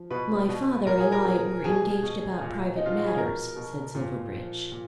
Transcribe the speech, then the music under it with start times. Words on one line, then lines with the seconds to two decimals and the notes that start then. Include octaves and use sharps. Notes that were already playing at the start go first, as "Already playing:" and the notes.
"My father and I were engaged about private matters," said Silverbridge.
Already playing: F3
0.10 B2 B4
0.48 B2
0.86 A#2 A#4
1.00 G#4
1.12 A#4
1.25 F3
1.64 B2 G#4
2.02 B2
2.41 A#2
2.76 F3 D#4
2.86 F4
2.96 F#4
3.07 G#4
3.17 B2 A#4
3.56 B2
3.94 A#2
4.32 F3
4.72 A#2